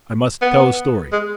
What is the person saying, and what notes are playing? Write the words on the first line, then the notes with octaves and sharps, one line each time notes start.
I must tell a story.
B3
G#3